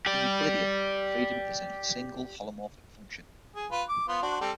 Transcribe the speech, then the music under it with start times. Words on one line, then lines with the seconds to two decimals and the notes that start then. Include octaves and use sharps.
In Euclidean, the freedom is in a single holomorphic function.
0.06 G4 D5
3.56 G#4
3.71 F4 B4
3.89 D6
4.08 B3 F4 C5
4.23 D4 F#4 C5
4.41 G3 C4 A4